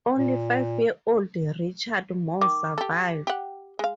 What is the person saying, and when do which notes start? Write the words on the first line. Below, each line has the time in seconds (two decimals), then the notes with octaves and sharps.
Only five-year-old Richard More survived.
0.18 A#2
2.41 D#3 D6
2.78 G4 A4
3.27 G4 F#5
3.79 G#3 F5